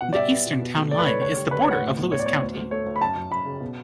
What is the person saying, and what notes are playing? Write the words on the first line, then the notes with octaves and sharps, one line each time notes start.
The eastern town line is the border of Lewis County.
B2 F#5
D5
G3 E5
B3
B2
B2
A3
A3 D5
B4
A3 C#5
D3 C#5
G3
D3 B4
C#5
D2
F#5
A2
B3
A2 C#5
D5
B3 C#5
D2
D2
A3 C#5
D2
B5
F#2 A5
F#2
F#2 B5
C#3
B2